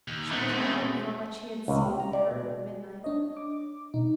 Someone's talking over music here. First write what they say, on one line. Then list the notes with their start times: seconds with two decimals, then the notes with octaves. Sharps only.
She was wondering how much he had seen and heard at midnight.
0.08 D#2
0.31 A3 D#4 F#5
0.50 B2 G#3
1.68 C#2
1.85 G4
2.00 A#5
2.13 D5
2.31 B2
3.04 D4 C#5 D#5
3.37 D6
3.94 B2 D#4